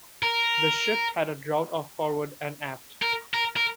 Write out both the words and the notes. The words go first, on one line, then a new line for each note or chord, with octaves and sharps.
The ship had a draught of forward and aft.
A#4
A#4
A#4
A#4